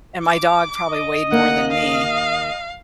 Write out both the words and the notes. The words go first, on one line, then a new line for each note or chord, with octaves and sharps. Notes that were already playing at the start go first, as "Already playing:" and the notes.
and my dog probably weighed more than me,
D6
D#5
D#2 A#3 F#5
F5